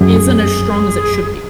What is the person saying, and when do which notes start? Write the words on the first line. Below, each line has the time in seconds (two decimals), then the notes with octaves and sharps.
isn't as strong as it should be.
0.01 F#2 G#4